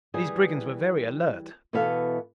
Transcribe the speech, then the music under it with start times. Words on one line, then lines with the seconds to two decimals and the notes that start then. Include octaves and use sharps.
These brigands were very alert.
0.14 E3 G3 G#4
1.73 B2 E3 B3 A4 E5 F5